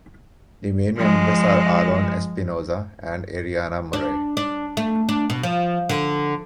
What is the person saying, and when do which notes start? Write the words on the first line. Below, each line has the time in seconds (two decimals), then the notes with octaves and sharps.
The main members are Aaron Espinoza and Ariana Murray.
0.96 F3 G#3
3.93 D4
4.37 D4
4.77 A3
5.09 D4
5.30 B2
5.43 F3
5.89 D3